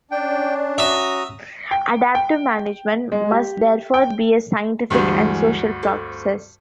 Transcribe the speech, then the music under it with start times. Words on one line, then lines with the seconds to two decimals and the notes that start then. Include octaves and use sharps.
Adaptive management must therefore be a scientific and social process.
0.11 C#4 D4 G5
0.78 F#4 E5 A#5 D#6
1.71 G5
2.15 G5
3.12 G#3
3.31 G4
3.94 G5
4.90 D2 G2 E3 G3 G#3
5.83 C4 A4